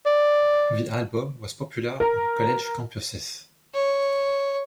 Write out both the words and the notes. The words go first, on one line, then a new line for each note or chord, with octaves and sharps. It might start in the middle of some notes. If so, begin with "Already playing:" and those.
The album was popular on college campuses.
D5
A#4
C#5